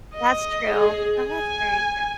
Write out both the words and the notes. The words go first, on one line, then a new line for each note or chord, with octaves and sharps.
That's true. No, that's very true.
D#5
G#4
G#5